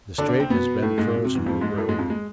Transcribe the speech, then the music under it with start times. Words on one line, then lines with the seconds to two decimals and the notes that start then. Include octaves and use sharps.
The Strait has been frozen over a week.
0.18 D3 D4
0.29 D3 D4
0.40 C3 C4
0.50 B2 B3
0.82 A2 A3
0.98 G#2 G#3
1.15 B2
1.24 C3
1.35 E2 E3
1.46 F2 F3
1.61 G#2 G#3
1.78 A2 A3
1.89 G#2 G#3
1.99 F2 F3
2.10 G#3